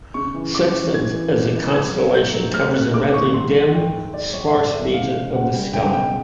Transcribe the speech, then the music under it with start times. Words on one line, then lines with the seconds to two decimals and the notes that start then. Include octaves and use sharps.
Sextans as a constellation covers a rather dim, sparse region of the sky.
0.14 C#3 C#6
0.34 E3
0.54 E3 D6
0.74 E3
0.94 E3 G#6
1.14 E3
1.34 F#2
1.54 G#3
1.74 F#3 G#6
1.94 D3
2.14 F#3 G6
2.34 F#3
2.54 A3 F6
2.74 A3 F#6
2.93 D3 D6
3.14 D#2 C#6
3.34 F#3 C6
3.54 D#3
3.74 G#2 G5
3.94 G#2
4.13 F#3 D5
4.34 F#3 C#5
4.54 G#2 D5
4.74 D#3 E5
4.94 C#2 F5
5.14 B2
5.34 C#2 F#5
5.53 G3
5.73 C#2 G5
5.93 B2 G5